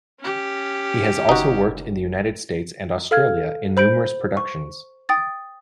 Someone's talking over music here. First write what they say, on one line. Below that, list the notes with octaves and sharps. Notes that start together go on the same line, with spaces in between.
He has also worked in the United States and Australia, in numerous productions.
C#4 G4
F#1 D#4 F#4
A4 F5 F6 G#6
C5 B5 G6 D7
C#6
G5 D#6 A6